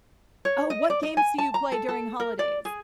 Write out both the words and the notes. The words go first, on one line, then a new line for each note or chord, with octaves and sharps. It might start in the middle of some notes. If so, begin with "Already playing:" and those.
Oh, what games do you play during holidays?
C#5
D#5
D5
D#5
G#5
A5
A#5
A4
A4
A#4
D5
G#4